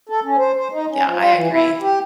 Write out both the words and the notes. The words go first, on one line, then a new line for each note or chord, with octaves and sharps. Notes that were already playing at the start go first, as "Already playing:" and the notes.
Yeah, I agree.
A4
C#4
C5
C5
D#4
C#4
F3
F4
E3
E4
G4